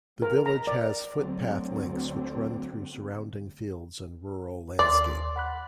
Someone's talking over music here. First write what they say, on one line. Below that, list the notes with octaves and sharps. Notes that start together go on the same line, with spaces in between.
The village has footpath links which run through surrounding fields and rural landscape.
A#4
A#5
D5
D2 D3 F#3 C4
D#2 D5 C6 A6
F#5 B5 F#6